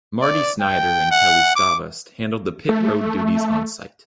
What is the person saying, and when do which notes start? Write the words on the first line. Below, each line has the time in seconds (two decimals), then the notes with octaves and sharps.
Marty Snider and Kelli Stavast handled the pit road duties on site.
0.22 D5
0.61 G5
1.11 F#5
1.56 D6
2.69 A3